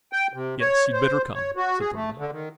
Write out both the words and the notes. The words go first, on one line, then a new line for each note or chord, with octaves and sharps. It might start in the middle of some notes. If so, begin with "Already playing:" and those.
"Yes, you'd better come," said Thorndyke.
G5
C3
C#5
C5
C#5
F#4
G#4
A3
D3
D#3